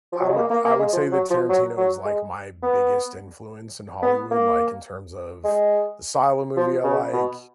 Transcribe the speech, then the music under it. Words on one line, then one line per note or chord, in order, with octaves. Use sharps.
I would I would say that Tarantino is like my biggest influence in Hollywood, like in terms of the style of movie I like,
F3
F#3
G#3
A#3
A#3
A#3
G#3
F3
F#3
F3
F#3
F#3
G#3
B3
B3
A#3
G#3
F3
C#3
B2